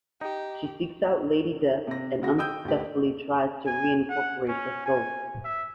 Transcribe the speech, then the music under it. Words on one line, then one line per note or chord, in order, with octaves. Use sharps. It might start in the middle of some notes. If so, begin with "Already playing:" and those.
She seeks out Lady Death and unsuccessfully tries to reincorporate her soul.
D#4 G4
C3 A#6
C#3 F#4 A#6
G5 D#6 E6 G6
D2 G4
G#5
F#5
C#4
G#5
E5